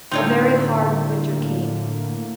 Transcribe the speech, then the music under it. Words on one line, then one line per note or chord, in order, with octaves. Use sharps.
A very hard winter came.
A2 D3 A#3 C4 D#4 F4 C#5